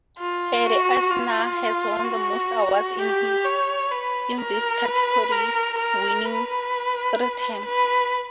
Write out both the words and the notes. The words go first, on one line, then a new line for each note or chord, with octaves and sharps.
Ed Asner has won the most awards in this category, winning three times.
F4
F#4
F4
F#4
G4
C#5
B4
A#4
B4
A#4
A#4
B4
B4